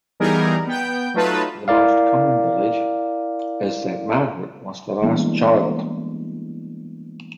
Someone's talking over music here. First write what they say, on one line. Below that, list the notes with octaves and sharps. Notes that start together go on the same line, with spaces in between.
The most common belief is that Margaret was the last child.
E3 G3 B3 D#4 G#4 A#4
B3 G5 G6
F#3 A3 D#4 F4 B4 A5
E4 A#4 D5 F5
E3 G3 G#3 A#3 B3 D4